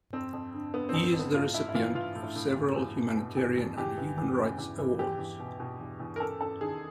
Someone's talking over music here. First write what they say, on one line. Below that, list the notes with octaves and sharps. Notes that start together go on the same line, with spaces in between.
He is the recipient of several humanitarian and human rights awards.
F2 C4
F2
D3
D3 B3
F2 C4
C4
F2
B3
A2 F4
A2 E4
E4
E3 F4
E3 F4
A2
A2
E2
E2
B2
B2
E2
E2
E2 G4
E3
E2
C#3
E2
E3
E2 G4
E2
B2
B2
E2
E2
A#4
F#2 A4
F#2 A4
D#3 G#4